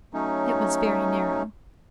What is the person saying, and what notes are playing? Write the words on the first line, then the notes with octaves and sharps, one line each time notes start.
It was very narrow.
F#3 A3 C#4 D#4